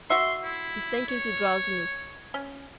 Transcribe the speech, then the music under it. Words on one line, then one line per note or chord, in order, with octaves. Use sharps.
He sank into drowsiness.
F#4 E5 C6
E4
C#5
C#4